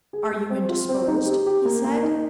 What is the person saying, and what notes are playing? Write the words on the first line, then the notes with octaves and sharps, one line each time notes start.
"Are you indisposed?" he said.
G#4
G#3
C4
F4
C4
D#4
G4
G4
A#3
A#3
D#4